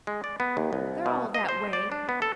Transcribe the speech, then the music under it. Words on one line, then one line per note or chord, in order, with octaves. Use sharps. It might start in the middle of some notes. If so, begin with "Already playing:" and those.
They're all that way.
G#3
D5
B3
D#2
C2
B2
D#5
C5
D5
D4
B3
A4